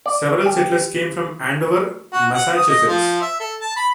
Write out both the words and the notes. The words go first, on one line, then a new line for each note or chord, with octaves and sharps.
Several settlers came from Andover, Massachusetts.
D5
G4
F#4
F#5
D#6
D#5
F3
E5
A4
A5
B5